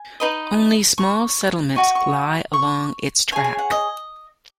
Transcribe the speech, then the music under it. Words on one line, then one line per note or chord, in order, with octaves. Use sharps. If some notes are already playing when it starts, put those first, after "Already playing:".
Only small settlements lie along its track.
Already playing: G#5
D#4 B4 D#5
C#6
F#4 D#5 C#6
C#6
C#6
G#4 C#5 G#5
G#5
F#5
D#5